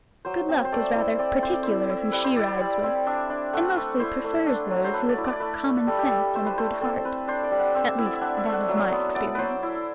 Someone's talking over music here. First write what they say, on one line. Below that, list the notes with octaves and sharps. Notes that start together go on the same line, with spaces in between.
"Good Luck is rather particular who she rides with, and mostly prefers those who have got common sense and a good heart; at least that is my experience."
F#3 C5
C4 C5
C5
A3 D5
E4
C4 D5
C4 C5
D5
E4 C5
E4
G3 B4
C5
E4 D5
D5
G3 D5
C4
D4 E5
D4
A3 F#5
A3
E4 C5
A3
D4
F#3
C5
A3 B4
D5
E4
D5
A3 B4
A3
G3 A4
G4
G3 A4
A3 C5
B4
A3 C5
C4 A4
C4 B4
D4 C5
D5
G3
F#5
C4 E5
E4 E5
D5
E5
D4 F#5
E5
A3
F#5
F#3 E5
B3
B3 D5
F#3 B4 C5
E4